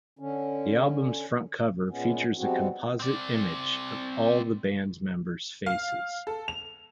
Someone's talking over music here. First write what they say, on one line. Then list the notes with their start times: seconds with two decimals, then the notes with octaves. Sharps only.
The album's front cover features a composite image of all the band members' faces.
0.19 D3 C#4
1.90 A#2 G#3 B3 C#4
2.38 F3 G3 G#3 B3 C4 F#4
3.00 C4 D5
5.66 F5
6.27 A4
6.48 F7